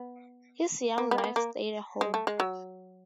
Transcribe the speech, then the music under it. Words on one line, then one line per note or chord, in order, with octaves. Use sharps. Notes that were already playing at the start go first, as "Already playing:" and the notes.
His young wife stayed at home.
Already playing: B3
A#3
B3
A#3
B3
A#3
G#3
A3
G#3
F#3